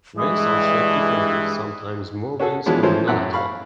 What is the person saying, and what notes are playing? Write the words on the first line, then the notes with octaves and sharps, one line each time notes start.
Vents are shaped differently, sometimes more vents or none at all.
G2 E3 G#3 D#6
C#4 F#4 G#4 A4
E3 F3 G#3 B3 C#4 D4
E3 F3 A3 C#4 C5
F#2 A2 E5 F#5 F#6
F5 B5 C#6